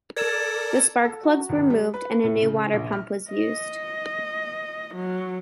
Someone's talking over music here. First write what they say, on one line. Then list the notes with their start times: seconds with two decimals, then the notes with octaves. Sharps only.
The spark plugs were moved and a new water pump was used.
0.16 A4 A#4 D5 G#6 A6 E7
1.05 A4
1.23 F#4
1.49 G#1
1.70 G3
1.94 B4
2.24 A2
2.42 C#3
2.73 A#1
2.92 F6
3.31 D#5
4.95 F#3